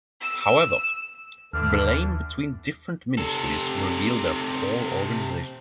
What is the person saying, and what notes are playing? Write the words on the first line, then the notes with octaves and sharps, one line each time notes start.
However, blame between different ministries reveals their poor organization.
E6
D#2 D3 E3 D4 F6
C3 A4